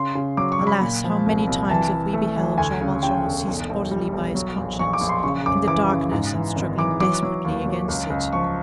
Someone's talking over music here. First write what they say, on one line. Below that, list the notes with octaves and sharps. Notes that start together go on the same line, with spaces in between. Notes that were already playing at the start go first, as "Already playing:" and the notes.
Alas! how many times have we beheld Jean Valjean seized bodily by his conscience, in the darkness, and struggling desperately against it!
Already playing: C#3 C6
C#3
F#3 D6
C#6
F#3
B5
A#2
F3
C2
C2
E3 A5
E3
A3
E3
D2 G#5
C#3
C#3 G5
E1
B1
B1
G3
B1
F#3
A#1
A#1 C#6
D6
A#1
C6
C#3 C#6
F#2 D6
E3 D6
C#3
G#2
E3
G#1
E3 D6
F#3 D6
F#3
D#2
F#3
C#2
C#2
F3 C#6